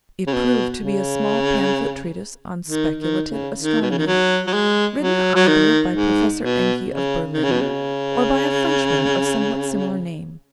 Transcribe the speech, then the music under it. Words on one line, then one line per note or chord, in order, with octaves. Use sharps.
It proved to be a small pamphlet treatise on Speculative Astronomy, written either by Professor Encke of Berlin or by a Frenchman of somewhat similar name.
C#3
B2
C#3
D#3
D#3
C#3
D#3
B2
C#3
D#3
F#3
F#3
G#3
F#3
F#3
D#3
G#2
B2
C#3
D#3
C#3
B2
C#3